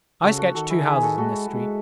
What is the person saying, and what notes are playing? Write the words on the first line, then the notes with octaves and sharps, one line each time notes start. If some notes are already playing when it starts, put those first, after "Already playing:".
I sketch two houses in this street.
C#3 F#4 A4
F#4 A4
D#3 F#4 A4
E4 G#4
G#4 B4
F#4 A4
G#3 F#4 A4
G#3